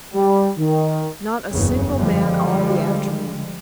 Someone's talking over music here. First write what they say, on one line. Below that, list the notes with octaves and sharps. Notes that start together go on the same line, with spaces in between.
Not a single man all the afternoon.
G3
D#3
F#1 E2 G2 C#3
D3 F3 G3 G#3